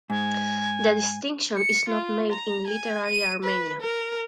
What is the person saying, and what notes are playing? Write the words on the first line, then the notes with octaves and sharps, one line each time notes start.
The distinction is not made in literary Armenian.
G#2 G#5
C#7
F4
A#5
G#5
D#7
B4
A#4